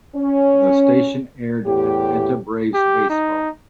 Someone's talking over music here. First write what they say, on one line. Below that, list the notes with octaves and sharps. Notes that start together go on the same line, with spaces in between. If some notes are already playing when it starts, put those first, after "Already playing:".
The station aired Atlanta Braves baseball.
C#4
E2 A2 G4
G4
D#4